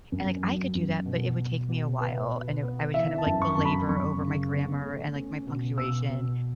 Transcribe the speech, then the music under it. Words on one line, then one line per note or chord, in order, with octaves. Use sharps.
and like I could do that, but it would take me a while, and it I would kind of, like, belabor over my grammar, and, like, my punctuation.
F#2
F#3
F#2
B2
B2
B2
B3 B4
B2
B3
E3 E5
A5
F#2
C#6
F#2 A5
B5
F#2 C#6
C#3
B3
A3
C#4
B2
B2 E6
B2